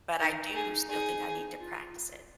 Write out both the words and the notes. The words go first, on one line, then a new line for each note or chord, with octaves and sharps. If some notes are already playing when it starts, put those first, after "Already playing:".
but I do still think I need to practice it.
D#4 A#4
G#4
G#4
F4